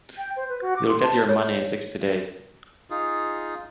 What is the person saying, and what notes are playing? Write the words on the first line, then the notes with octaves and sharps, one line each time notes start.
You'll get your money in sixty days.
G5
C5
B4
F#4
D6
C6
A5
C#5
D#4 F4 G#4